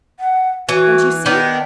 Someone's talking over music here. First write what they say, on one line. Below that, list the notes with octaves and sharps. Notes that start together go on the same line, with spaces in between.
'Don't you see?
F#5
E3 F#4
D#3 B3 D4 G5